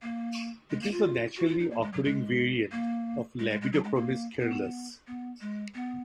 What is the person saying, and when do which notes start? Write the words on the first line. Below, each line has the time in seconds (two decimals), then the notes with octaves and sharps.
It is a naturally occurring variant of "Labidochromis caeruleus".
0.02 A#3
0.70 G#3
0.82 A#3
0.92 F4
1.37 F#4
1.49 F4
1.60 D#4
1.71 A#3
1.82 G#3
1.93 F#3
2.04 G#3
2.72 A#3
3.39 G#3
3.50 G#3
3.62 G#3
3.73 F#3
3.84 G#3
3.95 A#3
4.40 B3
5.07 B3
5.41 G#3
5.75 B3